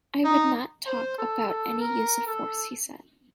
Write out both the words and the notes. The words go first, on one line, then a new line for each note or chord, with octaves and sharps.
"I would not talk about any use of force", he said.
D#4
C5
A4
A4
A#4
A4